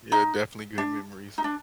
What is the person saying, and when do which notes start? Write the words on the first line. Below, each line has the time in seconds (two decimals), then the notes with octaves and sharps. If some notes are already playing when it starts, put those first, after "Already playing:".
Yeah, definitely good memories.
0.12 D#4
0.78 D4
1.38 D#4
1.44 D4